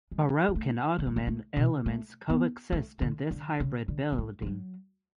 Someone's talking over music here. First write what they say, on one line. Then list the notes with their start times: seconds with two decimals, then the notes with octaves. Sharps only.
Baroque and Ottoman elements coexist in this hybrid building.
0.11 G#3
0.48 B3
0.55 A3
0.99 A3
1.07 G#3
1.16 A3
1.27 A3
1.57 B2
1.86 A3
2.29 B3
2.72 A3
3.01 D3
3.31 D3
3.60 C#3
3.88 D3
4.12 B3
4.18 A3
4.42 G#3
4.46 F#3